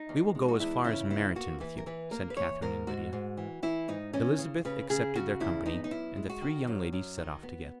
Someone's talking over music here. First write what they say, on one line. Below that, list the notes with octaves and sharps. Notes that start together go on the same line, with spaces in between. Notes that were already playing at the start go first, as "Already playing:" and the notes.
"We will go as far as Meryton with you," said Catherine and Lydia. Elizabeth accepted their company, and the three young ladies set off together.
Already playing: D#4
E2
G#3
F#4
E2 E4
C#3 E4
B3 E4
A#3 F#4
E3 B4
A#4
E3 B4
A#3 A#4
B4
E3 C#5
G#2 A#4
G#2 F#4
G#2
E3
E3 E4
G#2 D#4
E3 C#4
C#3
C#3 B4
C#3 G#4
C#3 F#4
E2 E4
B3 D#4
D#4
F#2 E4
G#3
F#4
D#3
F#2
F#2
D#3
B3